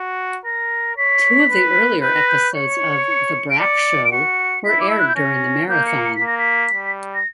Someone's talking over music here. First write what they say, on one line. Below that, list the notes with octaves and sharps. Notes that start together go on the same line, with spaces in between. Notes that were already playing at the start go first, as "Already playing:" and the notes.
Two of the earlier episodes of "The Brak Show" were aired during the marathon.
Already playing: F#4
A#4 A#6
C#5 B6
B4
B4 G6
A#6
G6
C#5 C#7
D7
D5 C#7
D7
F#4 C#7
E4 B6
D6
E6
F#6
G6
C#4 A#6
A#3 G6
C#7
C#7
B6
A#3
A#6
B6
G3
A#6